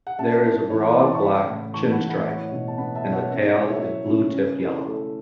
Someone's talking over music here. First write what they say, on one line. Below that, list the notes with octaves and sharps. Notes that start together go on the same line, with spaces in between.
There is a broad black chin stripe and the tail is blue tipped yellow.
F#5
C#4 E5 A5
E4
E3 C#5
F#5
E5
C#3
E5 A5
C#6
A3 F#5 B5
A2
E3 A5 C#6
F#5 B5
A2
F#5 B5
E5
E4 C#5 F#5
B2
A5
B3 F#5 B5
E5 A5
B2
C#5 F#5
C#4 E5
E5
E4 C#5
E5
F#3 E5
C#3
C#4
E4
A3